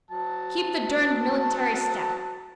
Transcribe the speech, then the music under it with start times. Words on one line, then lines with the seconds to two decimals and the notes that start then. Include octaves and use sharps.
Keep the durned millingtary step.
0.11 F#3 A5